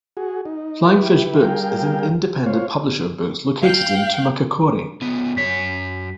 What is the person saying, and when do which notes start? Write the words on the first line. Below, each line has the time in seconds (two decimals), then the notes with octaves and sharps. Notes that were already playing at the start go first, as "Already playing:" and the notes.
Flying Fish Books is an independent publisher of books, located in Tumacacori.
0.17 F#4 G#4
0.45 D#4
0.86 E4 G4 B4
1.42 G3 G#4 A#4 F5 G5
2.46 F4 C5 C#5 F5
3.62 F5 G5 F#6 G6
5.02 C#2 B3
5.37 F#2 C#5 B6